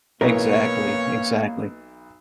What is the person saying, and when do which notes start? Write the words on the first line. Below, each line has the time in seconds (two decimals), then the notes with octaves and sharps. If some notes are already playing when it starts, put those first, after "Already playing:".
Exactly, exactly.
0.21 B1 E3 A#3 C#4 A#4 B4 C#5